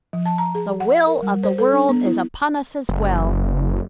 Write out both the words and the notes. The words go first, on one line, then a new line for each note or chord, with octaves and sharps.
The will of the world is upon us as well.
F3
A5
A#5
G#4
F#5
A#4
G3
C5
A4
D4
B3
E4
F#1